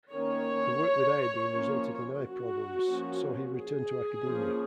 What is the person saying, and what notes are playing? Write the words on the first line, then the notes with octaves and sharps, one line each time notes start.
The work with iodine resulted in eye problems, so he returned to academia.
D#3 A#3 C#4 C#5
F3 A#3 C#4
F#4
F3 A#3 C#4
G#4
F3 A#3 C#4